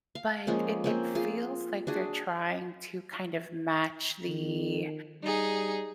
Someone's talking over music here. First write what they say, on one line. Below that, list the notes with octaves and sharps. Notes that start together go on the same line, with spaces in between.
But it it feels like they're trying to kind of match the
F5
F3 G#3 A#3 C#4
A#3 C4 C#4
F4 G#4
D4 F#4 G#4
D#3
G3 D#4 G#4